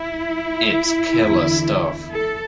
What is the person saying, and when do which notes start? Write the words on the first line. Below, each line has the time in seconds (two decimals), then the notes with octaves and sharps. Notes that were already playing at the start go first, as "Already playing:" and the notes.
It's killer stuff.
Already playing: E4
1.24 E2 D3
2.10 A4